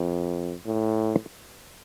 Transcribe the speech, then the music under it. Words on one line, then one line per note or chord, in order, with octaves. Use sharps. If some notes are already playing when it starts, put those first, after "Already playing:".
The "Edmonton Journal" noted Porritt had represented the Mackenzie District in the legislature.
Already playing: F2
A2